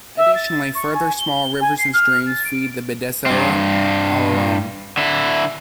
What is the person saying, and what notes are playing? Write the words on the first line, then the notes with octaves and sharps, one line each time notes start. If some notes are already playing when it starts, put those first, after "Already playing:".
Additionally, further small rivers and streams feed the Bidasoa all along.
E5
A6
C#6
G#5
G7
G#5
C7
F6
A6
D7
G2 C4
D3 E4